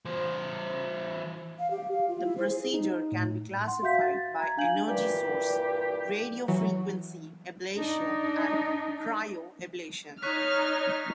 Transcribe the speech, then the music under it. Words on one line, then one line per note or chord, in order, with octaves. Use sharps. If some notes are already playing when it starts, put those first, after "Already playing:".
The procedure can be classified by energy source: radiofrequency ablation and cryoablation.
E3 C5
F5
G4
F5
F4
E4
C5
G#4
D#4
A2
F#5 C6
F#4 E5 F5 G6 B6
A6
A#5 G#6
D4 F5 G#5 G6 F#7
G2 A#2 E3 G4
E3 F#3
D4 D#4
D#4 C#5 C#6 F6 F#6 B6